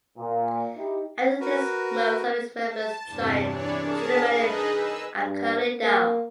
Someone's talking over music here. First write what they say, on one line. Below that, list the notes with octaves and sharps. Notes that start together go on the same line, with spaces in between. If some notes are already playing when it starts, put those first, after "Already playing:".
After this most of its members joined Shiromani Akali Dal.
A#2
D#4 E4 G4
F#4 A#4 B4
A5
E2 G2 C3
E3 D4 C#5 D5
G#4 A#4 A5
D#4 G#4 B4 D#5
E6
G2
A#3